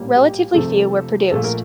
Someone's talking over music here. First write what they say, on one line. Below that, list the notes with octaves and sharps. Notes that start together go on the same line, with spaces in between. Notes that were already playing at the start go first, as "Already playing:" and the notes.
Relatively few were produced.
Already playing: A#1 A2 G3 A#3
G4
F1 F2 C3 F3 A3 A4
A#1 A#2 F3 A3 A4
A#4